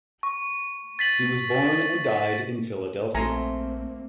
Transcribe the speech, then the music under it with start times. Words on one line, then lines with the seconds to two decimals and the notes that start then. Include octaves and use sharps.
He was born and died in Philadelphia.
0.23 C#6
0.99 A6 B6 F#7
3.15 A#1 A3 A#3 C4 G#5 A#5 C6